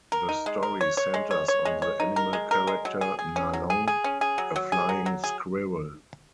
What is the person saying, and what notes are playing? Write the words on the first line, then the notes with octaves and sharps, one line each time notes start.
The story centers on the animal character Nalong, a flying squirrel.
A#4
D#4
G#3
A#4
C#5
C#5
G#3
C#5
C#5
G#3
C#5
D#4
A#4
G#3
A#4
G#3
F#3
G#4
G#4
C#4
F#3
G#4
G#4
C#4
G#4
F#3
F#3
G#4
F#3
F#3
G#4